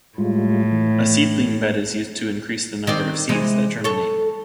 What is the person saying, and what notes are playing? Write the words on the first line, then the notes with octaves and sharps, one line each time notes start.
A seedling bed is used to increase the number of seeds that germinate.
A2 G3 G#3 F4
E3
D#3 C4 D5
C3 E3 G#3
A4 C#5